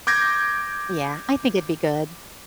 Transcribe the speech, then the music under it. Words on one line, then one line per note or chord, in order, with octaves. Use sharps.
Yeah, I think it'd be good.
D6 G6 G#6 A#6